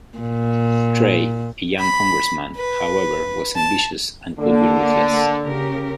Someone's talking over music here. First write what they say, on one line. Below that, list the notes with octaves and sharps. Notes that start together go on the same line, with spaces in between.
Trey, a young congressman, however was ambitious and could be ruthless.
A#2
B5
B4
A5
D3 A#3
C#3 G4 A#4